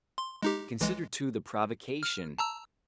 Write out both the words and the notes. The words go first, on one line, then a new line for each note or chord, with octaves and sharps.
Consider, too, the provocation!
C6
G#3 D#4 G4
B1 E3 G#3
F6
A5 A#5 E6